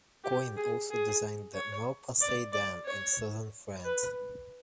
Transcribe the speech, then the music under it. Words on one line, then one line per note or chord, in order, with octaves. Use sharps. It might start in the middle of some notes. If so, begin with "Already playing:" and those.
Coyne also designed the Malpasset Dam in Southern France.
G4
G#4
G#4
C#5
D5
D5
C#5
B4